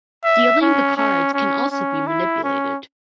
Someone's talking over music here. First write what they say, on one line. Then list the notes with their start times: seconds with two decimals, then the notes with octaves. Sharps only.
Dealing the cards can also be manipulated.
0.24 E5
0.61 C#4
0.97 C#4
1.34 C#4
1.71 C#4
2.07 E4
2.44 C#4